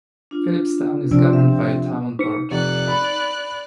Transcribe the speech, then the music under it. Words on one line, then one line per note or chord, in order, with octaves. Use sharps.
Philipstown is governed by a town board.
D4 F4
C3 F3 C4 D4 F4 D5 E6
E5
D#4 C#7
F1 D5 F#6
B5